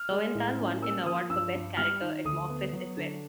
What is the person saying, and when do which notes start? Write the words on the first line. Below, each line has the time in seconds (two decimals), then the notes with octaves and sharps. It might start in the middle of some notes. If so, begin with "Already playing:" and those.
Lowenthal won an award for best character at MockFest as well.
Already playing: F6
0.10 G#3
0.35 A2
0.58 C#4
0.82 A#3 E6
1.06 F3 D#6
1.30 G2 E6
1.54 G2
1.77 G3 F6
2.01 D#3
2.25 D2 D#6
2.49 B3
2.73 F#3
2.97 D3